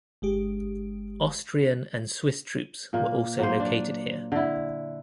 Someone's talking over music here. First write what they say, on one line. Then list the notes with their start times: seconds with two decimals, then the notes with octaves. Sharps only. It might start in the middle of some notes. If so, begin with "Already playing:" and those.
Austrian and Swiss troops were also located here.
0.22 G1 G#3 G4
2.93 A#2 A#3
3.39 F#3 A#3 C5
3.60 D4
4.32 D3 E4